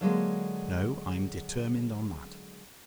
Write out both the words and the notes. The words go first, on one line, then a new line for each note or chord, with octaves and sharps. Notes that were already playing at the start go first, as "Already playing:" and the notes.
No: I'm determined on that.
D3 F#3 G#3 A#3